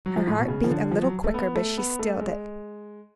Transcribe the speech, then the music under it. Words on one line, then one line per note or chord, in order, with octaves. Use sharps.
Her heart beat a little quicker; but she stilled it.
F#3
F3
A2
B2
C#3
F3
D3
F3
F#3
A3
B3
A3
B3
A3
G#3